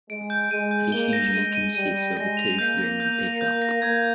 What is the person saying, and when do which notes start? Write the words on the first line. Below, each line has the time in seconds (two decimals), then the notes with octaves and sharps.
It usually consists of a toothed ring and pickup.
0.09 G#3 D7
0.30 G6
0.51 G#3 D#7
0.71 G6
0.92 A#3 G7
1.13 A#6
1.33 G#3 D#7
1.55 D#7
1.75 G3 D#7
1.96 D#7
2.16 G#3 A#6
2.37 F7
2.58 A#3 G6
2.78 A#6
3.00 G6
3.20 A#6
3.41 G6
3.62 A#6
3.82 A#3 G#6